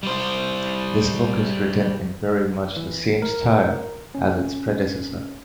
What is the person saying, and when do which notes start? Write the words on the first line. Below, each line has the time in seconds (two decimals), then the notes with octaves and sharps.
This book is written in very much the same style as its predecessor.
0.03 G3 C5
2.77 E3
3.22 A#4
4.15 C#4